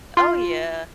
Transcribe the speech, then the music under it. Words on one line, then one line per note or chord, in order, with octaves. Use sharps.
Oh, yeah.
F4 C6